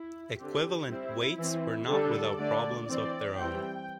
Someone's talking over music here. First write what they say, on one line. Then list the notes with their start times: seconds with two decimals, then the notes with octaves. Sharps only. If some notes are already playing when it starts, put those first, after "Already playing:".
Equivalent weights were not without problems of their own.
Already playing: E4
0.38 D3 C4 G4
0.89 G3 C4 E4
1.38 E3 C4
1.88 D3 G3 D4 A4
2.39 D3 A3 D4 D5
2.89 E3 C4 D5
3.38 E3 G3 C4 G5